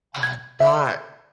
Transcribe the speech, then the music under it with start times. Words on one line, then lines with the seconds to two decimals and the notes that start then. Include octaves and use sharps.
Uh, not,
0.23 G#6
0.60 E5